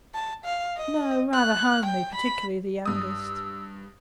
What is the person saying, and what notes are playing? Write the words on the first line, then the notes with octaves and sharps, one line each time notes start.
'No, rather homely, particularly the youngest.'
A5
F5
D#5
F#6
G5
B5
G2 D#6 E6